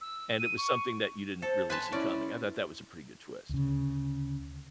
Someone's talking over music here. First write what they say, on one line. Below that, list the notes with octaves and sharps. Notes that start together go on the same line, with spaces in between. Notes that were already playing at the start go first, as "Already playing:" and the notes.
and it was something that you didn't really see coming. I thought that was a pretty good twist.
E6
D#7
C#6
A4 C5
B4 G#5 A5 C6
C#4 E4 D5
D2 C#3